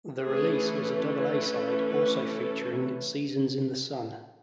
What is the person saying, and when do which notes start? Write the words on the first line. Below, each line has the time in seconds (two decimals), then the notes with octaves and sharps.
The release was a double A-side, also featuring "Seasons in the Sun".
0.25 E3 A3 C#4 G#4
1.90 B4
2.31 A4